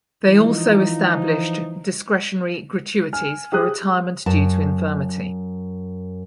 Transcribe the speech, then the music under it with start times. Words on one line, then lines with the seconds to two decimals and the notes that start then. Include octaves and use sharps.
They also established discretionary gratuities for retirement due to infirmity.
0.24 E3 F3 D#4
3.13 G#5 F6
3.52 G4 G#4 D#6 F#6
4.26 F#2 A5